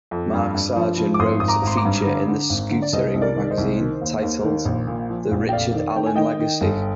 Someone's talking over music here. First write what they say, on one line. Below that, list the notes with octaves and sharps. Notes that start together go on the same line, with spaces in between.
Mark Sargeant wrote a feature in "Scootering Magazine" titled "The Richard Allen Legacy".
F2
G2
G2
F3
F3
D6
G#1 C6 D#6
G#1 D#6
A#5 D6
G#1 C6
A#5 D6
G2
D3
D3
G#1
D3
D5
C2 C5 D#5
C2 D#5
A#4 D5
D#3
C5 D#5
C2
D#3
D#2
D#2
D#3
A#1
A#2
F3
A#1
G5
F1 D5 F5
D#3
D#3 G5
G#5
D#3 D#5 G5
D#3
G1